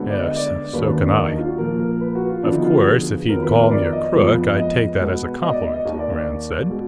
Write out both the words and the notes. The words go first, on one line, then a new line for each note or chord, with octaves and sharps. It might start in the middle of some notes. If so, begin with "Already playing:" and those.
"Yes, so can I. Of course, if he'd call me a crook, I'd take that as a compliment," Rand said.
Already playing: D2 D3 G#3 B3
D5
D#5
D5
D#2 D#3 F#3 A#3 B4
D4
D4
D4
D#4
F4
F#4
A#2 F3 A#3 A#4
A#4
B4
F#4
F4
D2 D3 F3 B3 D4
D#4
F4
F#4
G#4
F2 D#3 F#3 B3 A#4
B4
A#4
D5
D#5
F2 F3 G#3 B3
D#5
B2 G#3 B3
D#5
D5
D#5
D#5
D#2 D#3 A#3
D5
D5
B2 G#3